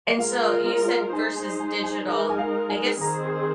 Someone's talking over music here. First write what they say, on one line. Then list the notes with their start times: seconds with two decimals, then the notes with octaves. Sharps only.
And, so, you said, versus digital I guess
0.18 G#3 F4 A#4 F5
1.13 G#3 D#4 C5 G#5
1.36 G#5
1.60 G#5
1.84 G#5
2.07 G#3 D#4 A#4 A#5
2.30 G#5
2.38 F5
2.69 G#5
3.01 D#3 C4 G#4 C5 A#5
3.25 C6